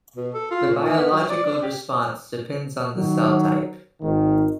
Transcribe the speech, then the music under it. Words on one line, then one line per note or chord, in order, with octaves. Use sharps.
The biological response depends on the cell type.
B2
A4
F4
A#2
D#3
B3
F#3
D5
D4
G4
D#3 F#3
G#1 G#2 D#3